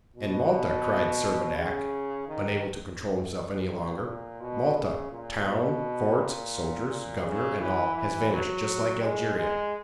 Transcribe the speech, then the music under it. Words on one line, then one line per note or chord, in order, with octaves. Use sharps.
"And Malta," cried Servadac, unable to control himself any longer; "Malta--town, forts, soldiers, governor, and all--has vanished just like Algeria."
B2
C#3
D#3
A#2
A#2
B2
C#3
A#2
B2
A#2
A#2
C#3
E3
E3
F#3
G#3
G#3